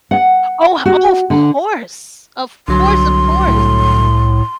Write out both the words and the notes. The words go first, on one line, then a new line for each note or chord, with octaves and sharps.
Oh oh, of course of course of course.
F#5
F#4
D3
C2 D3 F#3 C6
A2